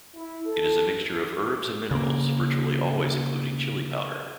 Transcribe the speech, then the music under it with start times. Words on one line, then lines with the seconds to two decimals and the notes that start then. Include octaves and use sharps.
It is a mixture of herbs and minerals, virtually always including chilli powder.
0.16 E4
0.46 A4
1.91 C#3 A#3